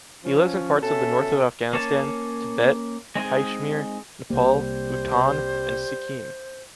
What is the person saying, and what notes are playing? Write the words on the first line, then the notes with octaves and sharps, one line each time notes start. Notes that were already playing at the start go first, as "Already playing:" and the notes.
He lives in parts of the north of Afghanistan, Tibet, Caixmir, Nepal, Bhutan and Sikkim.
F3 C#4
B2 C#4 A4 E5
A#3 C#4 C#5 A5
G#3 C4 D#4 G#4
C2 G3 A#3 C5